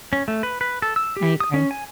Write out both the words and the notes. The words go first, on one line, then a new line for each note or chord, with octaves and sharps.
I agree.
C#4
A3
B4
B4
A4
E6
G4
D#6
C#4
G#5